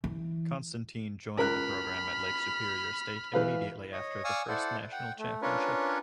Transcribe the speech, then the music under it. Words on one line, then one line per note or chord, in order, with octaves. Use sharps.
Constantin joined the program at Lake Superior State immediately after their first National Championship.
E3
C#2 A#4 B5 F6 F#6
E3 B4 F5
C#5 D#5
D5 F5 G#5 C#6 D#6 E6
E4 A4 C5 D5 F#5
F#5 G5
A3
C#4 D4 F4 A#4 B4 C#5